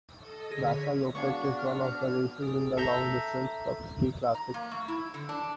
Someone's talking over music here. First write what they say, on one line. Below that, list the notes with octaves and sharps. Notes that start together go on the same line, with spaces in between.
Vasaloppet is one of the races in the long distance cup Ski Classics.
A4 D#5
D3 G#4 C#5 A#6 B6
B3 D4 F#4 G#4 F5 C#6
F6
G#4
A4 E5 A#5 G6
A#5
A#3
A3
E4
D3
D4